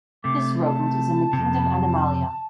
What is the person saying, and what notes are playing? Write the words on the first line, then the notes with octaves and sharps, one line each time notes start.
This rodent is in the Kingdom Animalia.
C3 A3 D6
A5
F2 C3